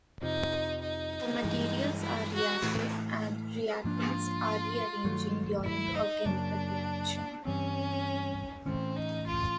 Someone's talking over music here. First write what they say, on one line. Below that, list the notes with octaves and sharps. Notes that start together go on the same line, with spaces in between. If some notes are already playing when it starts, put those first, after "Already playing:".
The materials are reactive and reactants are rearranging during a chemical reaction.
F2 C3 F3 D#4
D#4
G2 E3 G#3
E4
F#4
A2 E3 A3
G#2 F3 A#3 D4 F4
G2 D#3 F#3 A3
E4
D#4
F#2 C#3 F#3 A#3 D4
G2 E3 G3 C4 C#4
A2 E3 A3 C4 C#4
D#4
F4